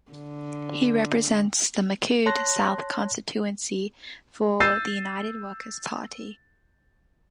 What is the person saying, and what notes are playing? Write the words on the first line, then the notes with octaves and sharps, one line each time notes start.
He represents the Micoud South constituency for the United Workers' Party.
D3
C#5 A5 C6 F#6 A#6
E6 G6 A6 C7 D#7